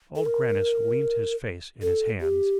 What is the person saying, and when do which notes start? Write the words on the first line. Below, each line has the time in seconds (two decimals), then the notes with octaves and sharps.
Old Grannis leant his face in his hands.
0.16 A4
0.26 A#4
1.83 A4
2.21 G4